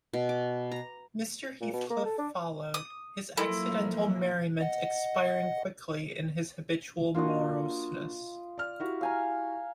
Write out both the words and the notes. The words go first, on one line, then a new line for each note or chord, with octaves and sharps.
Mr. Heathcliff followed, his accidental merriment expiring quickly in his habitual moroseness.
B2
D6
A#5
A#2
B2
A#3
A4
D4
D#6
F3 F#3 A#3 E4 A4 A#4 C6
D#5 F#5
A#3 D4 F4 F#4 D#5
D5 F6
E4 F#4 G4
F5 G#5 A#5